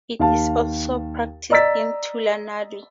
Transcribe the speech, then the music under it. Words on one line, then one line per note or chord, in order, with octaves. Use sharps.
It is also practised in Tulunadu.
D#2 F5 A5
D5 D#5 A#5 E6 A6 B6